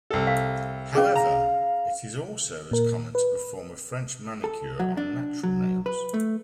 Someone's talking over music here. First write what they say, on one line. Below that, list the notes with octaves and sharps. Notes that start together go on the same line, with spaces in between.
However, it is also as common to perform a French manicure on natural nails.
C2 A4
F5
C#4 G#4 F5
A#5
A#2 A#4
B4
A4
F#3
D4
F#3
B4
A3